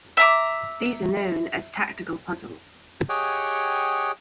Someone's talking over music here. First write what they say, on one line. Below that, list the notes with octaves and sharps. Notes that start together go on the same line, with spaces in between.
These are known as tactical puzzles.
E5 A#5 D6
G4 G#4 C#5 D#5 F#5 G5